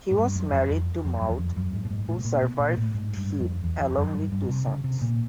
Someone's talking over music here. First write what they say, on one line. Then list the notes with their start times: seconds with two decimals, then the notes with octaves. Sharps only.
He was married to Maude who survived him along with two sons.
0.11 G#2
0.18 G2
0.35 F#2
0.52 F2
0.70 F2
1.05 F2
1.22 F#2
1.30 E2
1.39 F2
1.56 F#2
1.73 G#2
1.85 A2
1.91 G#2
2.08 A2
2.18 B2
2.25 A#2
2.42 B2
2.59 A#2
2.77 A2
2.95 G#2
3.17 G2
3.40 F2
3.64 E2
3.81 F2
3.98 F#2
4.15 G2
4.32 G2
4.49 C3
4.67 C#3
4.84 C3
5.01 A#2